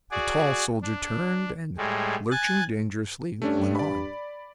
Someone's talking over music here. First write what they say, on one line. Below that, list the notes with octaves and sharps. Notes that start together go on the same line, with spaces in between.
The tall soldier turned and, lurching dangerously, went on.
F#4 G#4 D5
D4
A2 G3 G#3
G#5 F#6 A6
G2 A3 C#4 D4
D5 B5